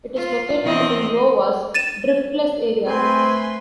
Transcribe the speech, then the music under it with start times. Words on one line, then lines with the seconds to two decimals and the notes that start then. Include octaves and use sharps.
It is located in Iowa's Driftless Area.
0.16 F4
0.63 E2 C4 D#5
1.74 A6 D#7 E7
2.86 A3 C4 B4 G#5 C6